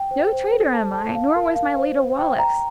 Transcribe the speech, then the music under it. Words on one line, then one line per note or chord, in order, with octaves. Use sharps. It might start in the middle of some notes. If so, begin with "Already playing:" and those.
No traitor am I, nor was my leader Wallace.
Already playing: G5
C5
C5
A4
A5
A5
F5
A#4
F5
C5
C5
G5
A#5